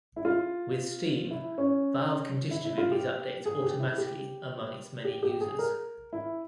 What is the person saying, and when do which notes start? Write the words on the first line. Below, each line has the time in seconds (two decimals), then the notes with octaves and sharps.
With Steam, Valve can distribute these updates automatically among its many users.
0.16 E4
0.25 F4
1.31 E4
1.58 C#4
2.51 E4
2.65 E4
2.78 F4
2.92 G4
3.46 G#4
3.62 G4
3.80 E4
3.98 G4
5.05 G4
5.23 G4
5.41 G#4
5.59 A#4
6.13 E4